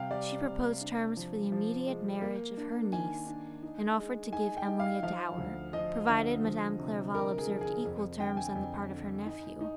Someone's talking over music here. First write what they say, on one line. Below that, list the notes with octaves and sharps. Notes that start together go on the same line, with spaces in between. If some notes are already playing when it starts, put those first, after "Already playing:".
She proposed terms for the immediate marriage of her niece, and offered to give Emily a dower, provided Madame Clairval observed equal terms, on the part of her nephew.
Already playing: C3 G3 F5 G5
G3 D5
C3
D4
F3
F3
G#3
A#3
D4
D#3 G#5
D4
D#4
G#3
D#4 G#5
G5
D#4
F5
F3 F5
D2
F3 D#5
D3
F3
C3
C3 A#4
G#4
F3
G#4
F2
D3 G5
G#5
F2
D3
D#4
D#4